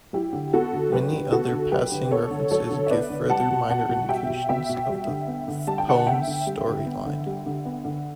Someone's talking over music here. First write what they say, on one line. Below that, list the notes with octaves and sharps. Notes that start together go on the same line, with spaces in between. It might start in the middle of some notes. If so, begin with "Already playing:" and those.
Many other passing references give further minor indications of the poem's storyline.
F#3 E4 G4
D3
B3 F#4 A4
D3
F#3 G4 B4
D3
B3 F#4 A4
D3
F#3 G4 B4
D3
B3 A4 C#5
D3
F#3 A4 C#5
D3
E5
B3 B4 D5
D3
G3 F#5 A5
B2
B3 F#5 A5
B2
G3 E5 G5
B2
B3 E5 G5
B2
G3
D3
B3
D3
G3 A5
G5
D3 F#5 A5
B3 E5 G5
D3
G3
D3
B3
D3
G3
D3
B3
D3